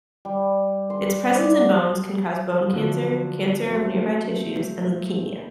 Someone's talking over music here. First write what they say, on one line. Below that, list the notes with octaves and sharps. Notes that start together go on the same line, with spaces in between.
Its presence in bones can cause bone cancer, cancer of nearby tissues, and leukemia.
G3
C6
D5
F#5
D3 F3 F#3
F#3 A3 A#3 C4